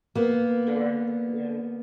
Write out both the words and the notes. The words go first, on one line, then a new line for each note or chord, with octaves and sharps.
Sure. Yeah.
A#3 B3